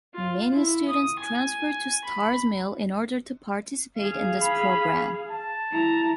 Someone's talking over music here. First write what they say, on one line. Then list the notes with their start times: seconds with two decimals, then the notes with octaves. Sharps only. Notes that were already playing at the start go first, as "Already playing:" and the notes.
Many students transfer to Starr's Mill in order to participate in this program.
0.14 F4
0.54 E4
0.88 D#6
1.19 G#5
2.04 B5
3.98 G#4 F5
4.42 B5
5.31 A5
5.72 E4 A#5